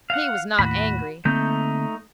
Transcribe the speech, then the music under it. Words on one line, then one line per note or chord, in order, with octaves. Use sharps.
He was not angry.
F5 F#5
D#2 A2 F#4 B5
D3 A3 A#3 C4 D#4 G6